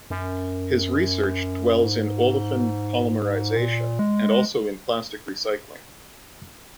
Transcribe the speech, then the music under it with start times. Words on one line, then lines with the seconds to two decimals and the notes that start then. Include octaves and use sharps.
His research dwells in olefin polymerization, and also in plastic recycling.
0.10 F#2
1.84 G#2
3.56 A#2
3.99 G#3